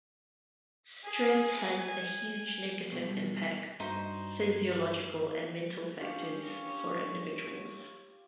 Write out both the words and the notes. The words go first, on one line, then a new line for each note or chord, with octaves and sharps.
Stress has a huge negative impact physiological and mental factors for individuals.
G#4
G#5
B2 G3
G2 D#4 F#4 C5
C#4 D4 F4 G4 C#5